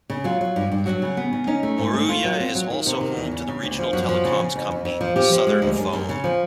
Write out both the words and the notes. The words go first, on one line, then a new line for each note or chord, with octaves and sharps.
Moruya is also home to the regional telecoms company Southern Phone.
C#3
F#3 F4
F#3
G2
G2
F#3 F#4
C#3
B3
C#3
C#4 D#4
A3
G#2
A3
A3 F4
F#3
C4
F#3
D#3
C3
D#3
E2
C#3
C#3
D2
F3
F#2 F#4
F3
C#3
C#3
F2
F2
F2
F3
F3 G4
F3
G#3
D2
F#2
F#2
C#3
F3